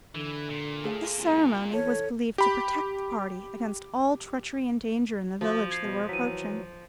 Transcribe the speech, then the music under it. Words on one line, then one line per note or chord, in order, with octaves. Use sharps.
This ceremony was believed to protect the party against all treachery and danger in the village they were approaching.
D3 E3
A#2
A3 G#4 F5
C2
E3 A4 C#5
G4 B5
F3 F#4
G#6 C7
B2
E3 F#3 B6 D#7